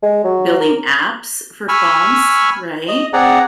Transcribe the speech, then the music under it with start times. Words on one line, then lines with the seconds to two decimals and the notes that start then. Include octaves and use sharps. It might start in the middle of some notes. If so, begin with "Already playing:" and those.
building apps for phones, right?
0.03 G#3
0.24 F#3
0.60 A#4
1.69 G#5 B5 C#6 E6 F6
2.89 D#5
3.13 C4 G#4 D5 F#5 A#5